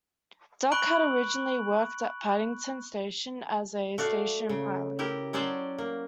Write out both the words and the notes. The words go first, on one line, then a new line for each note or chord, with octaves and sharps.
Duck had originally worked at Paddington station as a Station pilot.
B5 C#6 F#6 D7 F#7
A3 F#4 D5 F5
C#3
E4 G4 A#4
F#3 C#4 C5 D5 G5 A5
A#3